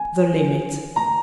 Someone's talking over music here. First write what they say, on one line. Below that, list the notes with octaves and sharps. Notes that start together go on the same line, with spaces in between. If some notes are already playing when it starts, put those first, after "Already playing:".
The limit.
Already playing: G#5
A#5